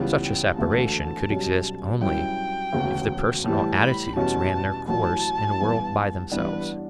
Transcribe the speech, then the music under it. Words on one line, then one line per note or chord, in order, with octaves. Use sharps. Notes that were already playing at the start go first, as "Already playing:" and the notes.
Such a separation could exist only if the personal attitudes ran their course in a world by themselves.
Already playing: C#2 C#3 E3 G3 B3
G5
E1 D2 D3 A3 A5
B1 B2 G3 C#4
G2 F#3 C#4 E4 G5
E1 D2 C#3
A2 E3 G3 A5
B5
E2 B2 G3 C#4 A5
A1 A2 F#3 A5
G2 E3 B3
A1 G2 E3 B3 D4 B4